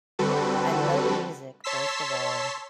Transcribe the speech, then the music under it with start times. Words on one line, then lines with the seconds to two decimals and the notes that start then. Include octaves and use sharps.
Wel I love music, first of all, and
0.19 D3 G3 C4 F#4 A4 B4
1.64 C#5 A5 C6 E6 B6